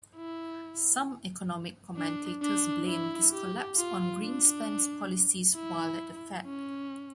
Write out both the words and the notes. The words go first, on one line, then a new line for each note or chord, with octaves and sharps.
Some economic commentators blamed this collapse on Greenspan's policies while at the Fed.
E4
D4
D4
E4
G4
F4
D4
E4
C#4